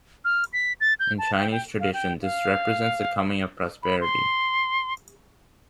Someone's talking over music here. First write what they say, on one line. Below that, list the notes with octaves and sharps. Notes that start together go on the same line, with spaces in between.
In Chinese tradition, this represents the coming of prosperity.
F6
B6
A6
G6
A5
G5
G5
F5
G5
F5
B5
C6